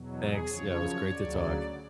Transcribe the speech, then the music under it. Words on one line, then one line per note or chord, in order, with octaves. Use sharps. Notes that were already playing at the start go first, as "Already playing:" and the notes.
thanks. Yeah, it was great to talk.
Already playing: E2 B2 F#3
G#4
F#2 C#3 F3 C#5
D2 C#3 F#3 D5